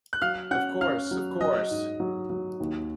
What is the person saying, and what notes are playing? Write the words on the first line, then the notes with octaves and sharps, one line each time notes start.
Of course, of course!
F#6
F#3 F5 F6
C#4 F#5 F#6
C#4 F5 F6
F#3
F#3 D#5 D#6
G#2
F#3
F#3
D#2